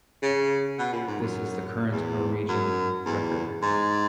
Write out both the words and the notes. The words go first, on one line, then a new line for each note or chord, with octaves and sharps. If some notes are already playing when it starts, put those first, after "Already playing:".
This is the current Norwegian record.
C#3
B2
A#2
G#2
F#2
E2
F#2
E2
G#2